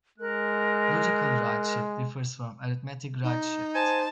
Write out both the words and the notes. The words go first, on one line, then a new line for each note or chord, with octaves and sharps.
Logical right shift differs from arithmetic right shift.
G#3 A#4 F#6
D#4
C5 G#5 A5